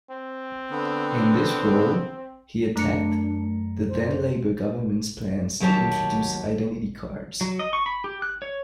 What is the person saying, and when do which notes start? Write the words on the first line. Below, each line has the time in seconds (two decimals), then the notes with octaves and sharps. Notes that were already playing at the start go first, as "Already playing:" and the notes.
In this role, he attacked the then Labour government's plans to introduce identity cards.
0.11 C4
0.71 D3 B3
2.76 F#2 A3 D4 A#4 C#7
3.89 C5
5.60 D#2 F#3 G4 C5 C#5 A5
7.41 F#3
7.59 D#5
7.73 C#6
7.86 B5
8.04 G4
8.22 F#6
8.42 C#5